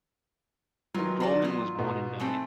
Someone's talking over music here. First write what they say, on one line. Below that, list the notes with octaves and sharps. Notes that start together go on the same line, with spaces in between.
Grolman was born in Berlin.
D#3 E3 F#3 F4
F4 F#4 D5
B3 F4
G#2 B2
E3 A3 C4